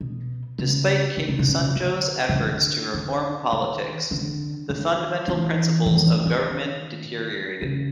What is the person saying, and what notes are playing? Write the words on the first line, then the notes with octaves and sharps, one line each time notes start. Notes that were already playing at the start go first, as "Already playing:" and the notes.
Despite King Sunjo's efforts to reform politics, the fundamental principles of government deteriorated.
B2
C#3
D3
C#3
C3
C#3
D3
C#3
D3
D3
D#3
D3
D#3
E3
E3
E3
D#3
C#3